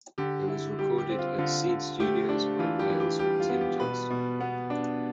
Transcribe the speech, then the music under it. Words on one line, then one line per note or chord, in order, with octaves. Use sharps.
It was recorded at Seed Studios by Wales with Tim Johnston.
D3 G4
E4
G3 G4
G4
C4
F4
D3 F4
D3
A3 G4
D4
E3 F4
G4
E3
G4
G3 G4
F4
B3
G4
B2 B4
B2
B3
D4